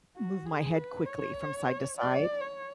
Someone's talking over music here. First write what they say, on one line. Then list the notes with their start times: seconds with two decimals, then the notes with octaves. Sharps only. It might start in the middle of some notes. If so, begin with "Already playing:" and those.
move my head quickly from side-to-side,
0.17 F#4
0.46 G#4
0.76 B4
1.06 C#5
1.97 D5
2.41 C#5